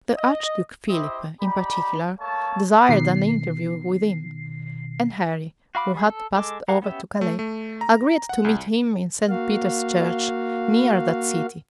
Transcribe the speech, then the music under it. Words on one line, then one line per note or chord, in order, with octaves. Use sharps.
The archduke Philip, in particular, desired an interview with him; and Henry, who had passed over to Calais, agreed to meet him in St. Peter's church, near that city.
D#5
E4 G4 C5 D#5 E5
D#4 G4 D5 B5
A3 A#3 C#5 A5
B2 D#3 C7
F#4 F5 B5 D6
G3 G#4
A4
G#3 A4 D6
G#4 A#4 F5 F#5 A#5
B3 C#4 G4 E5
A3
A3
A#5
F#5
C2
A#3 F#4 F5